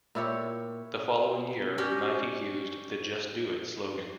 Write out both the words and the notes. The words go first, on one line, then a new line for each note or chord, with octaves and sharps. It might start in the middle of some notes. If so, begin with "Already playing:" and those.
The following year, Nike used the Just Do It slogan.
A#2 E4 G4 C#5
G3 C#4 F#4 G4